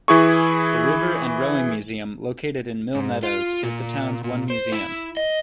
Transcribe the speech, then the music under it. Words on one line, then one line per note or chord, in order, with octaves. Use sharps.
The River and Rowing Museum, located in Mill Meadows, is the town's one museum.
E3 E4 G#4 C#6
G#2
F4
A#2
A#2
C5
E4
D#5